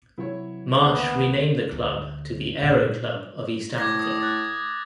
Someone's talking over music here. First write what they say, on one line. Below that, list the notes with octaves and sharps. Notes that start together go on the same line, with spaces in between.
Marsh renamed the club to the Aero Club of East Africa.
C3 E3 F#3 E4 C#5
C#2 D#3 A#3 B3 A4 C5 E5
D2
A#2
A2 D6 G#6 A#6
D#6
F#6 A6